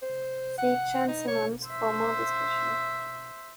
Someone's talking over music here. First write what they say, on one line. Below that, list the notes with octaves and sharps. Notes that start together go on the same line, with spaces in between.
See Chern-Simons for more discussion.
C5
F#5
D#4
C#5
C5 E5